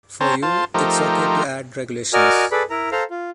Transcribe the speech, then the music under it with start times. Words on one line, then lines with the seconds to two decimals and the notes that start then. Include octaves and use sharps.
For you, it’s ok to add regulations.
0.21 C4 C#4 C5 A5 A#5
0.43 F4 C5 A5
0.74 F3 A3 D#4 G4 A#4 C5
2.13 F#4 A#4 D5 D#5 G#5 F6
2.52 G#4 A4 B4 D5 B5
2.70 E4 A#4 A#5
2.92 A4 C5 F5 A#5
3.10 F4